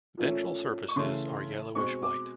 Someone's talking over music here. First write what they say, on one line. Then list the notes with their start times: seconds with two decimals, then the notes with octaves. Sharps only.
Ventral surfaces are yellowish-white.
0.17 A#2 F3 A3 C#4
0.88 C#6
0.96 C#3 E3 A3 C6
1.75 B2 G#3 C4 C#6
2.02 D6